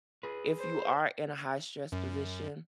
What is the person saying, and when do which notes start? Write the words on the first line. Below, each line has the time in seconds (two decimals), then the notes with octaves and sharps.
if you are in a high stress position,
0.23 G#4 B4
0.60 C5
1.92 F#2